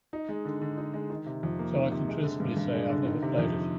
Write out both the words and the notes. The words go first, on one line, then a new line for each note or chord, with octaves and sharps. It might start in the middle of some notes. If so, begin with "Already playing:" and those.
So I can truthfully say I've never played it!
D#4
G#3
D3
D3
D#4
G#3
D#3
C3
F2
A#3
D#3
C3
G#3
D3
G2
G2
G#3
D3
D#3
C3
F2